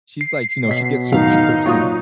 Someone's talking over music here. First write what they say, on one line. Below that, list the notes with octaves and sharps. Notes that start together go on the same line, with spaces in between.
she's like you know, she gets her chirps in,
C7
B2 C#5 D#5 B6
F#2 A2 D#3 D#4 F5
A#2 F#3 F4 D#6